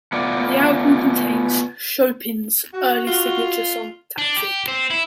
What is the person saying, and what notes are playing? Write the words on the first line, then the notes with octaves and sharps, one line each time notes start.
The album contains Chapin's early signature song Taxi.
A3 B3 F4 D5
F#4
F4
D4
G4
C4
E4